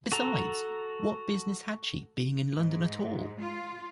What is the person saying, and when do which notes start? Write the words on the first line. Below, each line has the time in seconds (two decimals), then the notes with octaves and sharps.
Besides, what business had she being in London at all?
0.12 F#4 A4 A#5
2.53 G#2
3.40 F4